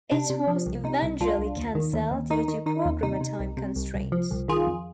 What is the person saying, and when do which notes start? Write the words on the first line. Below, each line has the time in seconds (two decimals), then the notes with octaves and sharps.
It was eventually cancelled due to programmer time constraints.
0.11 C3 D4
0.30 C3
0.47 F3
0.66 C2
0.84 C3 D#4
1.02 C2
1.20 C2 D4 F4
1.39 C2
1.57 D#2
1.75 D#3
1.93 D#2
2.11 D#2
2.30 D#3 D#4
2.48 D#3
2.66 D#3 D#4
2.85 D#2
3.03 C3 D#4
3.21 C3
3.40 C2
3.57 C3
3.76 C2
3.95 C2
4.12 F3
4.31 C2
4.48 D#3 F4 G#4
4.67 F2